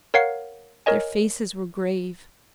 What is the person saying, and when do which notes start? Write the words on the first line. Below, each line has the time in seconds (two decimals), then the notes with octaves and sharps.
Their faces were grave.
0.14 A#4 C#5 F5 F#5 C7
0.86 A#4 C#5 D#5 G#5